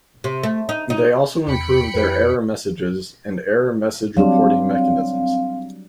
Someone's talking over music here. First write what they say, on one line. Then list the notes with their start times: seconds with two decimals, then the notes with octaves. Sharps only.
They also improved their error messages and error message reporting mechanisms.
0.24 C3
0.43 A3
0.69 D#4
0.90 D#4
1.47 E2 G5 B5 C#7
1.94 F2 E3 G4 B4
4.17 F#3 G3 C4 D4 F5